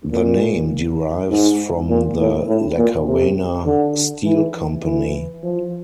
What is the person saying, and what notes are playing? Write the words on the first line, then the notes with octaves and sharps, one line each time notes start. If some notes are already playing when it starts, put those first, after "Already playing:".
The name derives from the Lackawanna Steel Company.
A#2
G#2
A#2
A2
A2
A#2
C3
D3
E3
E3
F3